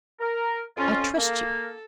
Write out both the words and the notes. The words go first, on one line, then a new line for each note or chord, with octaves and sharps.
I trust you.
A#4
F2 C#4 F4
A#3 A4